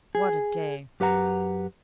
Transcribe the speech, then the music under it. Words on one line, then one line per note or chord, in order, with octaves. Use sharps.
What a day!
G#4
F#2 G4 B4 F#5 A#5